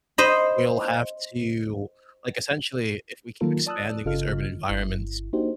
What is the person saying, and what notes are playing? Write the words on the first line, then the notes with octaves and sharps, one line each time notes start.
we'll have to, like, essentially, if we keep expanding these urban environments,
C5 D#5 B5
D#3 F#3 A#3 F4 A4 A#4
D5 A5 D#6 E6 F#6
G1 C#3 F4 A4 D#5 F6
G1 E4
A#3 D4 D#4 F#4 G4 C5